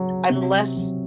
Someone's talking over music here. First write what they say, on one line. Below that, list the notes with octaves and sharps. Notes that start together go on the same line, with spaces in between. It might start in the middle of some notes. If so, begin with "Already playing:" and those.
I'm less,
Already playing: C#3 F#3
C3
F#3